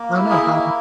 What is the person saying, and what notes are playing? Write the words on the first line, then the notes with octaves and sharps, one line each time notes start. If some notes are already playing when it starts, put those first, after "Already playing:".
I don't know how
Already playing: A#3
E4
G#4
A#3